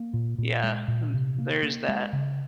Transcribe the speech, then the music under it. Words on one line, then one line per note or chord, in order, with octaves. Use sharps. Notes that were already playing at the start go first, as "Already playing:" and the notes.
Yeah, hmm, there's that.
Already playing: A#3
A#2
A#2
G#3
A#2
C3
A#3
A#3
G#3
C#3